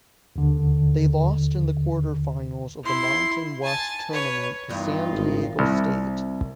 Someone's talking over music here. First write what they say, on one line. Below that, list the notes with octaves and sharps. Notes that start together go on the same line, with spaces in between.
They lost in the quarterfinals of the Mountain West Tournament to San Diego State.
D#2 D3
E4 C6
G#5 A5
B4 C#5
E2 G2 D#4 F4
G#1
C2